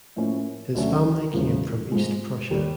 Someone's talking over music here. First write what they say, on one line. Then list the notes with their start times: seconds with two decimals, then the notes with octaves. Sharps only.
His family came from East Prussia.
0.16 A2 F3 A#3 C#4
0.75 D2 D3 F#3 A3 C#4
1.33 E1 E2 C#3 F3
1.92 G#2 F3 G#3
2.50 D#2 D#3 G3